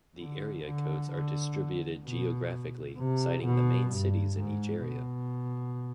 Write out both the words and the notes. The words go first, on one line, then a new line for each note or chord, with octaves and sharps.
The area codes are distributed geographically, citing the main cities in each area.
D3
D3
D3
B2
C3
B2
G2
G#2
B2